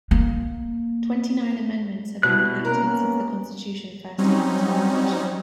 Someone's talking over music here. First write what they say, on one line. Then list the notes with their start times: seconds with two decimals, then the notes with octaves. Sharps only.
Twenty-nine amendments have been enacted since the Constitution first came into operation.
0.11 A#3
2.23 B2 G3 E4 F#6
2.65 A#3 B3 C#4 A#4
4.18 F#3 G3 C4 C#4 D#4